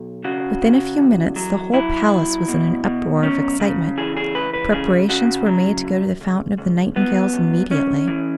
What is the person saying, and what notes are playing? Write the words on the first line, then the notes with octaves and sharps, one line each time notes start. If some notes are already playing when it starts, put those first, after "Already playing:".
Within a few minutes the whole palace was in an uproar of excitement. Preparations were made to go to the fountain of the nightingales immediately.
Already playing: B1
C#3 F#4
C#3
E2
F#3
F#3 E4
F#2
B2
B2
F#2 C#4
C#3
E3 G#4
G#4
C#2 B4
B4
C#3 G#4
C#3 F#4
F#3
F#2
C#2
C#2
F#2 B3
F#2
E2 C#4
E3